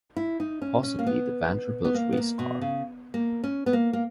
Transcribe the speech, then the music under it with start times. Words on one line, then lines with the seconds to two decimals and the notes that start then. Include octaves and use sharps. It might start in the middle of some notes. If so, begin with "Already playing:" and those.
Possibly the Vanderbilt race car.
0.16 E4
0.40 D#4
0.62 C#4
0.83 C#4
0.99 A#3
1.07 B3
1.85 B3
1.94 A#3
2.13 B3
2.17 A#3
2.39 B2
2.61 C#3
3.14 A#3
3.44 C#4
3.66 B3
3.73 A#3
3.93 A#3